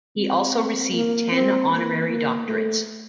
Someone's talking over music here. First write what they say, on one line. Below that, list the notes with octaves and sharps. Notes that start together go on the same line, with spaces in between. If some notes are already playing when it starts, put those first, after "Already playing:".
He also received ten honorary doctorates.
C4
A#3
C4
A#3
A#3
A3